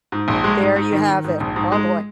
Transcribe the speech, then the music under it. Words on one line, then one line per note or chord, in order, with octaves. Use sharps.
There you have it. Oh, boy.
G#2
A#1
G#3
G#2
G#2
D#3
D#3
G#2
A#1
G#2
G#3